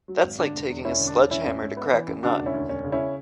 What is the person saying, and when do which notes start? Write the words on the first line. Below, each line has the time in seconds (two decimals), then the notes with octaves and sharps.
That’s like taking a sledgehammer to crack a nut.
0.08 F#3
0.23 G#1
0.39 D3 D4
0.54 E1
0.70 E2
0.85 E1 C#4 E4
1.00 D3
1.07 D4
1.15 E1
1.31 E3 C#4 E4
1.46 A1
1.62 G#2
1.77 B3
1.93 E3
2.07 A1
2.23 C#3 D4 F#4
2.39 E1
2.46 C#4 E4
2.54 D2
2.69 E1 C#4
2.84 C#3
2.92 C#4 E4